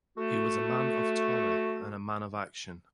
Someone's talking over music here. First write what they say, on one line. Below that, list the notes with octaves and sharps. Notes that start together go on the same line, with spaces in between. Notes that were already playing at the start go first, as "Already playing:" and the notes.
He was a man of Torah, and a man of action.
A3 F#4